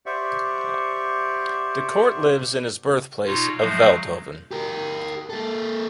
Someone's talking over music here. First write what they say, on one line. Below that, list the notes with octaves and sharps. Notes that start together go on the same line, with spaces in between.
De Kort lives in his birth place of Veldhoven.
G4 C5 D5 E5 F#5 C#6
B2 D#4 F4 C#5
F3 F#3 G#3 A3 F5 G6
G4 A#4
A#3 A4